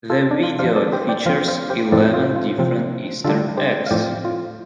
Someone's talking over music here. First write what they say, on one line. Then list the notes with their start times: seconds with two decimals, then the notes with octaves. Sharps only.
The video features eleven different Easter eggs.
0.10 F4 A4
0.31 D4
0.43 F4
0.59 F3 D4 C5 F5
0.76 A4 D5
0.92 G4 C5
1.09 D5 G5
1.26 F3 C4 C5 F5
1.48 C5 F5
1.70 G4 C5
1.92 A2 F3 C4 A4 D5
2.14 F4
2.36 F4
2.58 C3 F3 C4
3.24 D3 G3 D4 F4 A4
3.57 G4 C5
3.86 F5
3.91 A2 F3 C4 D5 G5
4.25 F4